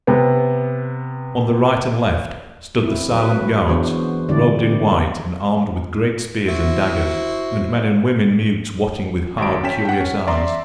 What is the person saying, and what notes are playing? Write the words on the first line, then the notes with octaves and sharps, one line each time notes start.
On the right and left stood the silent guards, robed in white and armed with great spears and daggers, and men and women mutes watching with hard curious eyes.
C3 B3
C4 E4
F#3 F#4 B4
E3 B3 D4 F#4 G#4 C5
D3 D4 E4 G4 D5
E4 F#4 C5
G#1 F#4 D7
C#4 G5 A5 B6 E7
F#5 G5
C#4
D5 E5 A#5 C6